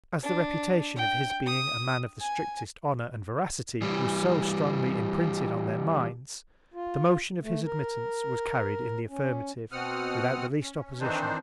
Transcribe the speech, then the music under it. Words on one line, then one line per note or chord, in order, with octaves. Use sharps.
As the Reputation of his being a Man of the strictest Honour and Veracity was so strongly imprinted on their Minds, the Motion of his Admittance was carried in the Affirmative, without the least Opposition.
D4
G5
D#6
G#5
E3 G3
F4
A3
A#4
C#4
B2 C4 F#5 D#6 F6
C#4
D#3 E3 C4 D4 D#4 C5